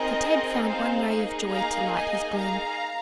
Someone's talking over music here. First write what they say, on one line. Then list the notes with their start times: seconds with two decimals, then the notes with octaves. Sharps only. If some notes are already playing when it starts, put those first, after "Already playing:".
So Ted found one ray of joy to light his gloom.
Already playing: C4 D#4 G#4 A#4 D#5
0.65 C5 F5
1.08 A#3 D#4 G#4
1.51 F5 A#5
1.94 D#5 G#5
2.37 F5 A#5